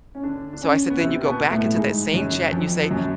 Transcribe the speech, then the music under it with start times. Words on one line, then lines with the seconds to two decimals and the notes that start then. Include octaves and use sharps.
So I said, "Then you go back into that same chat and you say,
0.15 C#4
0.23 D3 D4
0.53 D4
0.62 C#3 C#4
0.90 B3
1.00 C3 C4
1.25 B2 B3
1.51 A2 A3
1.76 G#2 G#3
2.14 F#2 F#3
2.52 F2 F3
2.81 F3
2.91 F#2 F#3